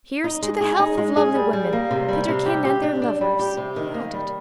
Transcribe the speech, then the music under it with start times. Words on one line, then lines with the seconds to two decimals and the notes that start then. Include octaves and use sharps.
"Here's to the health of lovely women, Peterkin--and their lovers!" he added.
0.24 D#4
0.42 G#3
0.61 G#4
0.79 D#4
0.97 G#3
1.17 G#4
1.35 G3
1.53 G3
1.73 A#3
1.91 C3
2.08 G3
2.28 C3
2.46 G4
2.65 G4
2.83 D4
3.02 D4
3.21 G3
3.39 G4
3.57 C3
3.76 D#3
3.94 A#3
4.14 G3